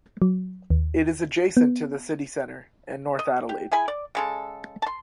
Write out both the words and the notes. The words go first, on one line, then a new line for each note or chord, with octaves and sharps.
It is adjacent to the City centre and North Adelaide.
F#3
D#2
B3
D#5
G4
E4 G#4 G#5 B5
D5
C#3 G#3 A4
A5 C6